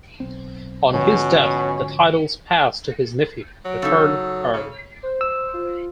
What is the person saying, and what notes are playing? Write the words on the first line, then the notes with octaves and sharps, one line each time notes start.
On his death the titles passed to his nephew, the third Earl.
B1 C4
G#2 B2 D3 F3 C#4
F#3
C#3 D#4 A4
C#3
C5
E6
F4